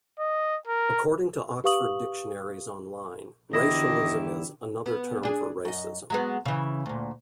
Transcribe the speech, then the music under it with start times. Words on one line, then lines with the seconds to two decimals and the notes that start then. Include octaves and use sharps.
According to Oxford Dictionaries Online, racialism is "another term for racism".
0.19 D#5
0.67 A#4
1.64 G4 B4 F5 C#6 D#6 F#7
3.53 E2 D3 D#3 E4 G4 D#5
4.86 B3
5.23 D4 G#4
5.65 F#2 D#5
6.10 F#3 G#3 B3
6.46 C#3 E3
6.86 D2 A#2